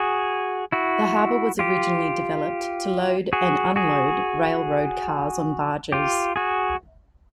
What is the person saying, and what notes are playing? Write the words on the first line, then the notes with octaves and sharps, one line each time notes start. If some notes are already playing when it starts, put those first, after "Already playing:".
The harbor was originally developed to load and unload railroad cars on barges.
Already playing: F#4 G#4
E4 F#4
F4 G4
F#4 G#4
F#4 G#4
F4 G4
F#4 G#4